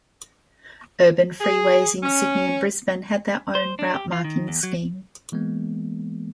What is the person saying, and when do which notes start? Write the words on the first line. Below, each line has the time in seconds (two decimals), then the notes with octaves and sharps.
Urban freeways in Sydney and Brisbane had their own route marking scheme.
1.41 G#4
2.03 C#4
3.55 C5
3.79 D4
3.94 G4
4.12 F4
4.24 D#3
4.48 E2
4.63 F#3
5.32 E3 G#3 A#3 B3